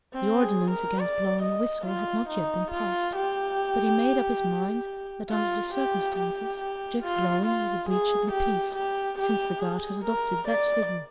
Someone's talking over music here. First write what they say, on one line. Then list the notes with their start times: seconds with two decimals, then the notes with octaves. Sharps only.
The ordinance against blowing a whistle had not yet been passed, but he made up his mind that, under the circumstances, Jack's blowing was a breach of the peace, since the Guard had adopted that signal.
0.14 C4
0.42 G#4
0.70 A#4
0.99 D5
1.42 D#5
1.86 F4
2.29 D#4
2.71 F4
3.15 G4
5.30 F4
5.74 G4
6.16 G4
7.02 F4
7.45 F4
7.89 G#4
8.31 G4
8.75 G4
9.19 G4
9.60 G#4
10.04 A#4
10.47 D5